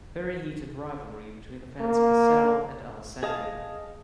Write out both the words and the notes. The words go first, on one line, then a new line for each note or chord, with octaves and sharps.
Very heated rivalry between the fans Casale and Alessandria.
A#3
G#4 D#5 F5 A5